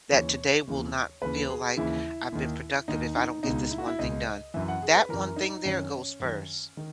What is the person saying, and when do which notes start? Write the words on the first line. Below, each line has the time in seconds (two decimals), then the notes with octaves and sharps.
that today will not feel like I've been productive if I don't get this one thing done. That one thing there goes first.
0.11 D#2 C#3 E3 C#5
0.67 D#2 C#3 E3
1.22 D#2 C#3 E3 B4
1.50 G#4
1.77 D#2 C#3 E3 E4
2.32 D#2 D#3
2.88 D#2 D#3 D#4
3.16 D#4
3.43 C#2 B2 D#4
3.71 E4
3.78 F#4
3.87 E4
3.99 C#2 B2 D#5
4.54 F#2 E3 E5
4.68 F#5
4.82 G#4
4.95 B4
5.09 F#2 E3 A#4
5.36 D#4
5.65 F#2 D#3 C#4
6.20 F#2 D#3
6.77 D#3